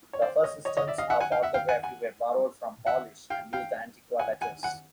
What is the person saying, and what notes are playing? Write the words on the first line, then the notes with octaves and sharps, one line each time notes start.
The first systems of orthography were borrowed from Polish and used Antiqua letters.
C#5
C5 D5
C#5 D#5
C#5 D#5
C#5 D#5
D5 E5
D#5 F5
E5 F#5
F#5 G#5
F5 G5
E5 F#5
F5 G5
F#5 G#5
F#5 G#5
E5 F#5
F5 G5
F5 G5
F#5 G#5
F#5 G#5
F#5 G#5